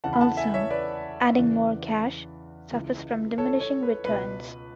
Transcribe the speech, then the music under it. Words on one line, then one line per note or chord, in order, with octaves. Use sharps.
Also, adding more cache suffers from diminishing returns.
E2 C#3 E3 F#5 A5
B5
F#5 A5
E5 G#5
C#5 E5
B4 D5
E2 C#3 E3
C#2 C#3 E3
A4 C#5
A4 C#5
B4
C#2 B2 B4